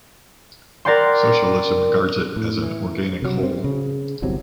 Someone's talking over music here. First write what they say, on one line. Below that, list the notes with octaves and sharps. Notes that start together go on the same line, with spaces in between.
Socialism regards it as an organic whole.
A#4 D5 F#5 G5 C6
A2
E3
C3 F#3
C4
C#3
G1 C2 C3 F#3